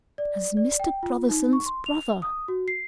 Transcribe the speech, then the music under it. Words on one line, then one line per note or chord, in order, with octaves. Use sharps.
"As Mr. Brotherson's brother."
D5
D5
G5
F4
D#4
C#6
C6
F7
D#6
F#4
C7